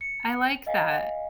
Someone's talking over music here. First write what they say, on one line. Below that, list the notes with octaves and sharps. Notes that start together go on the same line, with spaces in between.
I like that.
C#7
D#5 F5 G#5